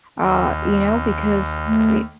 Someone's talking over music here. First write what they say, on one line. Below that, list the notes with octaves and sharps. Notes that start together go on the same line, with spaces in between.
uh, you know, because eh
D#2
A3